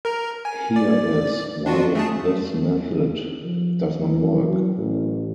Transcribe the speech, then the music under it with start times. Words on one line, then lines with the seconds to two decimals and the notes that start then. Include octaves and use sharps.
Here is why this method does not work.
0.05 A#4 A#5
0.45 G#5
0.76 D5
1.66 D4 F4 F#4
1.95 A3 G#4 A5
3.43 F3
4.03 E3
4.43 F#3
4.78 A1